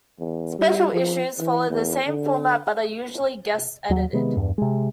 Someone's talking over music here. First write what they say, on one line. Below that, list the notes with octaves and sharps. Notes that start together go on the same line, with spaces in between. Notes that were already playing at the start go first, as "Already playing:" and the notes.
Special issues follow the same format but are usually guest-edited.
E2
G3
F3
E3
E2
D3
D#2 F#3
C3 D#3 G#3 B3
E2 G2
C3 G#3